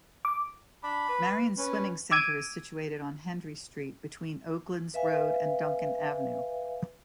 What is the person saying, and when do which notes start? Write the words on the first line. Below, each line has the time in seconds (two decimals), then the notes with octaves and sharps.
Marion Swimming Centre is situated on Hendrie Street between Oaklands Road and Duncan Avenue.
0.25 D6
0.83 D4 B5
1.09 B4
1.58 C#4 B4
2.11 D6 E6 G#6 D7 D#7
4.94 B4 E5 F5 G#5